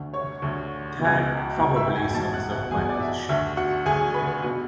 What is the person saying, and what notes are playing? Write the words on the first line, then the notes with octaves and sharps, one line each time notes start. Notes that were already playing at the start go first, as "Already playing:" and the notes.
That probably sums up my position.
Already playing: D2 D3
C#5 C#6
D2 D3
B2
C#2
C#2 B2
E5 E6
G#5 G#6
E2 B2 A5 A6
F#5 F#6
F#5 F#6
E2 B2 G#4 G#5
D5
E5
D2 D3 E5
F#4 F#5
D2 D3 G#4 G#5
B4 B5
B2 F#4 F#5